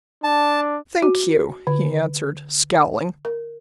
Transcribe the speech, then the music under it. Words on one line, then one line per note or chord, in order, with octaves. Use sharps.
"Thank you," he answered, scowling.
D4 A5
F#4
D3
A#4